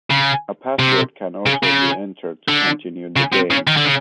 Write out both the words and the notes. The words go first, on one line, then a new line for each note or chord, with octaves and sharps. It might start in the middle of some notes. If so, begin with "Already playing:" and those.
A password can also be entered to continue the game.
C#3
C3
C#3
C#3
D3
C#3
C3
C#3
D#3
D3
C#3